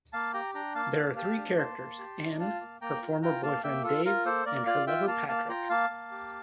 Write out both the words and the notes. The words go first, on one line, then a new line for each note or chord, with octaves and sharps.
There are three characters: Ann, her former boyfriend Dave, and her lover Patrick.
A#3 F5 A5
G4 G5 A#5
D4 G5 A#5
A#3 F5 A5
A#3
G4 F5 A5
D4
A#3 A5 C6
A#3
G4
D4
F4 F5 A5
A#3
A#3 G5 A#5
F4
F4 G5 A#5
A#3 F5 A5
A#3 E5 G5
F4 A4
F4 A#4
A#3 A4 C5
A#3 A#4 D5
F4 D5 F5
F4 E5 G5
A#3 F5 A5
A#3 F5 A5
F4 G5 A#5
A#3 F5 A5
A#3
G4